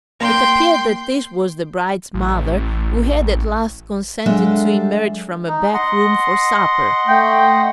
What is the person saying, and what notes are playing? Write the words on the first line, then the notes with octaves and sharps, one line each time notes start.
It appeared that this was the bride's mother, who had at last consented to emerge from a back room for supper.
A#3 G5 C6
A1
F#3 G#3 D4 A4 E5 F5
D#4
D#5 F#5 C6
A3 G5